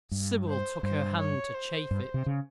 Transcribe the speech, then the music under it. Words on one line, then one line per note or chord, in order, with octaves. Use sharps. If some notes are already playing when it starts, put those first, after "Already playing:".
Sybil took her hand to chafe it.
G2
C5
G2 C5
C#5
C5
G2
C3
C#3